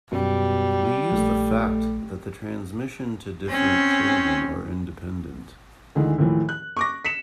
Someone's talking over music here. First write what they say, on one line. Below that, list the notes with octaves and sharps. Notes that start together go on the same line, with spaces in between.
We use the fact that the transmission to different children are independent.
F#2 B2 G3
A#1 A3
C4 C#4
D2 D#3 E3 G#3
D#2 A2 E3 F3
F#6
C#6 D6 A#6
B6 C#7 E7